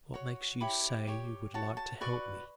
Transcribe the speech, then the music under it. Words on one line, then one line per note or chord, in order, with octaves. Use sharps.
What makes you say you would like to help me?
F#4 C#5
E4 G4 C#5 B5
G4 C#5
F#4 C#5 A5
A5
F#4 B4 D5 C#6